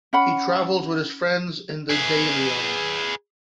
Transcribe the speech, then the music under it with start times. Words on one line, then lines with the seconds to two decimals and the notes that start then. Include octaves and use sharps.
He travels with his friends in the Daileon.
0.13 C#4 F#5 B5
1.90 G#4 B4